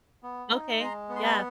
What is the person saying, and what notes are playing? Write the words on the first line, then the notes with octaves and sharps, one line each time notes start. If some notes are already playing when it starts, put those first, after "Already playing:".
Okay, yeah.
B3
D#4
G#3 A#5 C6
B3
C6
A5 B5